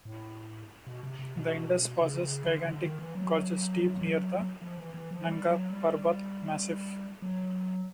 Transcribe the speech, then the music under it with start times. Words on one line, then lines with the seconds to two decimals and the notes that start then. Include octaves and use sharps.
The Indus passes gigantic gorges deep near the Nanga Parbat massif.
0.05 A2
0.87 B2
1.03 C3
1.19 C3
1.36 B2
2.01 C#3
2.23 C#3
2.44 D3
2.66 D3
2.82 D#3
2.99 E3
3.15 F#3
4.62 F3
4.78 E3
4.94 E3
5.11 F3
5.27 G3
5.48 F#3
5.70 G3
7.22 F#3